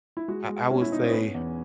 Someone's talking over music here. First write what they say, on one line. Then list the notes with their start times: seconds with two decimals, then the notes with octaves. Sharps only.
I I will say
0.17 E4
0.28 G#3 F#4
0.49 G#3
0.71 B2 C#4
0.82 E4
0.92 B2 D#4
1.03 C#4
1.09 B3
1.13 B2 C#4
1.34 E2